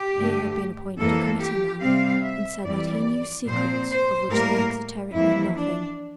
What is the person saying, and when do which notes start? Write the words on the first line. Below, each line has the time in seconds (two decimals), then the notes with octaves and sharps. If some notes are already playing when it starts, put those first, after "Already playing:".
He had been appointed a committee-man, and said that he knew secrets of which the exoteric knew nothing.
Already playing: G4
0.16 G2 D3 A3
0.98 F2 E3 A#3 A4
1.40 G4
1.81 C3 G3 C4 F5
2.23 E5
2.64 F2 E3 G3 D5
3.48 A#2 F3 C4 C5
3.90 C5
4.30 A2 G3 A#3 A#4
5.13 F2 E3 A#3 E4
5.55 D4